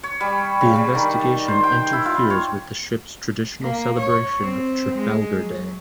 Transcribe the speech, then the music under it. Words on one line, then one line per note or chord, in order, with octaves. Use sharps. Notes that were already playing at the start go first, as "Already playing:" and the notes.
The investigation interferes with the ship's traditional celebration of Trafalgar Day.
C#5
G3
C#3
G3
D#3
A5
C5
G5
E4
F4
C#5
A#3
C#5
C4
G#3
F#3